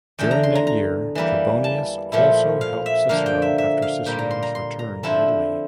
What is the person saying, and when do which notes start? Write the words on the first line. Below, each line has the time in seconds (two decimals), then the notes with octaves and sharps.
During that year, Trebonius also helped Cicero after Cicero's return to Italy.
0.19 E2 D3 A3 G5
0.31 A#5
0.43 C6
0.55 A#5
0.67 A#5
1.15 E3 G3 A#3 E4
1.64 A5
2.12 A#2 F3 A3 E4
2.61 F5
2.86 E5
3.09 D3 F3 A#3 F5
3.26 G5
3.42 E5
3.58 E5
3.82 F5
4.06 A#2 G3 A#3 G5
4.19 A#5
4.31 C6
4.42 A#5
4.55 C6
4.79 A#5
5.03 D3 F3 C4 E4 A5